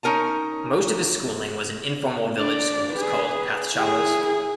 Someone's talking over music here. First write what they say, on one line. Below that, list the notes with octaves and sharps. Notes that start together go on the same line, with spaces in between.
Most of his schooling was in informal village schools called pathshalas.
C#4 D#4 A#4 G#5 A5
D4 D5
G#4 B4
E4 G#4